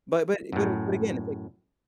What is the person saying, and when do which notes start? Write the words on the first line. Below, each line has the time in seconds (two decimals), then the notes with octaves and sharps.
But but but a but again, it's like
0.52 F#2 A2